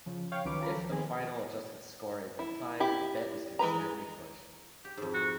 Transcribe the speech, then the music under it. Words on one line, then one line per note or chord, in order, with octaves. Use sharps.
If the final adjusted score is a tie, the bet is considered a push.
C#3 F3
C#5 F5 G5
C#2 D#3 F#3 C#4 B4 D6
F4 A4 A#5 B5
F3
D#3 B3 C4 G#4
E4
E4 G4
E3 G#3 B4 A#5
G4
F2 G#2
F#4